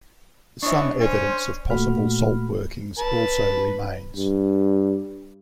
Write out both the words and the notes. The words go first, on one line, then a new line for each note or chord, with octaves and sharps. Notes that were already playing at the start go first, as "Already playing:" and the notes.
Some evidence of possible salt workings also remains.
E3 D4 E4 C#5 D#5 C#6
C#4 C5 G#5
A#2 A3 F#4 B5 F6
B4 A5
G2